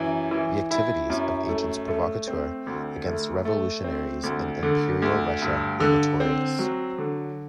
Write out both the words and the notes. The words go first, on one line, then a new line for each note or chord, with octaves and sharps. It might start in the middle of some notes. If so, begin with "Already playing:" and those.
The activities of agents provocateur against revolutionaries in Imperial Russia were notorious.
Already playing: F#2 E3
E3
E4
F#2
A3
A3
C4
D2
A3
A3
C4
D2
D3
D2
G2
D3
C4
F#3
D3